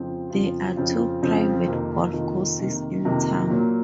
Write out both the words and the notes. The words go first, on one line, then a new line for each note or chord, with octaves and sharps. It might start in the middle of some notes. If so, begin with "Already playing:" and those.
There are two private golf courses in town.
Already playing: F2 C#3 F3 C4 F4
F2 C#3 F3 C4 F4
F2 C#3 F3 C4 F4
F2 C#3 F3 C4 F4
F2 C3 D#3 A#3 F4
F2 C3 D#3 A#3 F4
F2 C3 D#3 A#3 F4
F2 C3 D#3 A#3 F4
A#2 F#3 A#3